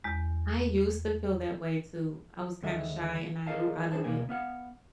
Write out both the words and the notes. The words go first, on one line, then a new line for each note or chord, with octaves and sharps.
I used to feel that way too. I was kinda shy, and I grew out of it,
E2 G#3
D#2 D3 G#3 A4 D#5 E5
G#4 A#4 C#5 D#5 F5 A5
D4 G#4 C5 A5
D2 B2 A#3 A#4 G#5
B3 F5 F#5